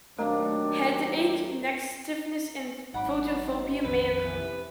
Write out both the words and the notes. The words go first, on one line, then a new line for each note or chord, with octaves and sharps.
Headache, neck stiffness, and photophobia may occur.
D#2 F#3 A3 C4 D4 A#4 D#5 A#5
G#1 F#3 D#4 F#5 B5 D6
A#1 F2 D#3 B4
C3 E3